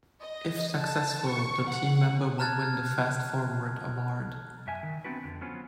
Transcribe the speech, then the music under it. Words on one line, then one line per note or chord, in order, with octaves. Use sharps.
If successful, the team member would win the Fast Forward award.
D#5
A5
C#6
F#5
A5 A#5 F6 F#6 G#6 A6
F#2 E5 G#5
D#3
B3 C4 D4 F#4 B4
F2 D3
F#3 B3 C#4 F4 C5